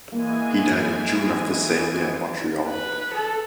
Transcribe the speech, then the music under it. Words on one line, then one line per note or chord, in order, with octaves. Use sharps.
He died in June of that same year in Montreal.
E3 G#3 A#3 G#5
B4
A4